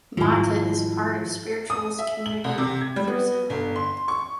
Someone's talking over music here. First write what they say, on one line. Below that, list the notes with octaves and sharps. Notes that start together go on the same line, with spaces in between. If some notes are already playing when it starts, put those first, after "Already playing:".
Motta is part of spiritualist community of Brazil.
G#2 D#3 F3 G3 E4
D#6
E5
F#7
C2
C3
G#6
G3
B3
G1
C6
C#6